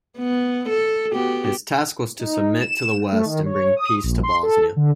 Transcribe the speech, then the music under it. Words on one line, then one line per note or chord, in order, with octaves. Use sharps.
His task was to submit to the west and bring peace to Bosnia.
B3
A4
B3 F#4 G4
D#4
E7
A3
D#3
C#5
D#6
A#1
C6
A4
D3